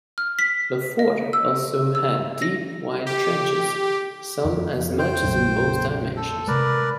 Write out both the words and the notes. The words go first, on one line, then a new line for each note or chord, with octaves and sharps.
The fort also had deep wide trenches, some as much as in both dimensions.
F6
B6
D#5
E6
E6
A#6
G4
F2
C5 G5
A#1 F2 F#3
A4
C3 G#3 A#4 B4 D5